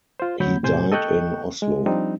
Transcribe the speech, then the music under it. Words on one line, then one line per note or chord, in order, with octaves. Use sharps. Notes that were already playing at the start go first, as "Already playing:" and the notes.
He died in Oslo.
F4 C5
D2 F#3 B5 G6
A2 C3 C5 G#5 G6
A4 D#5 G5 C#6 F#6 G6
G#3
F3 G3 C4 D4 D#4